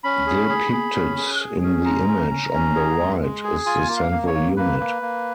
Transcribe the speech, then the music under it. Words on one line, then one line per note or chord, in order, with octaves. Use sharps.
Depicted in the image on the right is the central unit.
C#4 B5
G#4
G#4
G#4
C#4
G#4
G#4
C#4
G#3 A#5
C#4
C#4
C#4
G#4
G#3
G#3
G#4
F4 G#5
A#3
F5
A#3
C#5
A#3
A#3 B4
A#3
A#3